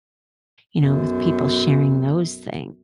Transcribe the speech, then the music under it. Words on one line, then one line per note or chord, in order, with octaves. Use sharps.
you know, with people sharing those things.
B1 F#2